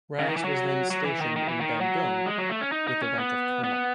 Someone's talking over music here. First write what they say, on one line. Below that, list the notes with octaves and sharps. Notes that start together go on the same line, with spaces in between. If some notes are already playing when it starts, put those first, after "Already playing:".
Rais was then stationed in Bandung with the rank of colonel.
C#3
D#3
E3
F#3
F#3
E3
D#3
D#3
E3
D#3
F#3
G#3
F#3
A3
C#4
D#4
D#4
C#4
B3
B3